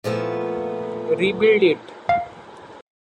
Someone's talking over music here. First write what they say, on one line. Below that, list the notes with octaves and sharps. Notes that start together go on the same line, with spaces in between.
Rebuild it!
A#2 F3 A3 B3
F5